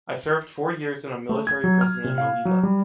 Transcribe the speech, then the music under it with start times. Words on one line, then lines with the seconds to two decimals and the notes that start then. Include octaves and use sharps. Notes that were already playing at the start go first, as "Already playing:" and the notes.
I served four years in a military prison in Melilla.
1.29 A3
1.47 G#6
1.64 F#3
1.81 F6
2.04 C3
2.18 F5
2.45 F#3
2.63 G3